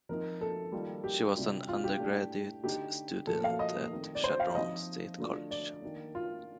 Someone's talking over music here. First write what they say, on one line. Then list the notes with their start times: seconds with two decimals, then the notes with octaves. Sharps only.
She was an undergraduate student at Chadron State College.
0.09 F3 C4 D#4 A#4
0.41 A4
0.72 D#3 G3 A#3 F4
1.04 G4
1.36 C3 G3 D4 F4
1.68 F4
1.84 G4
2.00 A2 A3 D4
2.63 D3 A3 D#4 G4
3.27 A#2 F3 A3 A4
3.44 F5
3.59 D#5
3.91 D#3 A3 C4
4.15 D5
4.24 C5
4.40 F5
4.55 F3 C4 D#4 D#5
5.18 D3 A3 D4 F4
5.51 D5
5.82 D#3 A#3 D4
6.15 F4